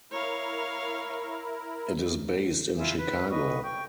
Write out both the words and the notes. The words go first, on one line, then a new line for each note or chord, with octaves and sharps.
It is based in Chicago.
E4 A#4 C#5 F5
E4 F4 G#5
B4
B4 D#5 C#6
G5 C#6